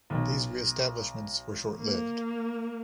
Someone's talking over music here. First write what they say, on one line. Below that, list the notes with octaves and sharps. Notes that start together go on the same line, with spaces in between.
These re-establishments were short lived.
B1
A#3